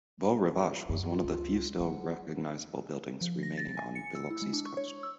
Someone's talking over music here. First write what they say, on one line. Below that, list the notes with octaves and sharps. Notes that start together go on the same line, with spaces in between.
Beau Rivage was one of the few still recognizable buildings remaining on Biloxi's coast.
F#2
F4
C#2
F#3 F#5
F3
A#6
A6
G#5
C#7
E6
E4
G#3
D4
C#6
C#5
E6